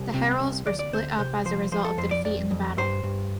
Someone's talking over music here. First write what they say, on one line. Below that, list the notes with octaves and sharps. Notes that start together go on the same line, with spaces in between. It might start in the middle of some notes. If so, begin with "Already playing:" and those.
The Heruls were split up as a result of the defeat in the battle.
Already playing: C2
C3
C2
D2 D5
D5
D2 C5
C3 C5
F3 C5
F3 C5
A4
F2 C5
D5
F2 D5
F2
G2 C5
G2